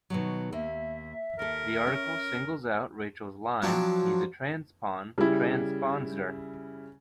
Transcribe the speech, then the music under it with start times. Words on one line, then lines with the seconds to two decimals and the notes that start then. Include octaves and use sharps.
The article singles out Rachel's line He's a transpon-transpondster!
0.10 B2 D#3 F#3
0.52 D#2 A#3 E5
1.39 D#2 A4 A#4
1.87 C#4
3.62 F3 F#3 C4 D4
5.18 C#3 G3 E4